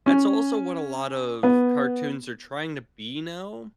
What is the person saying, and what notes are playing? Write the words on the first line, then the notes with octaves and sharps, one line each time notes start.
that's also what a lot of cartoons are trying to be now
C#4
B3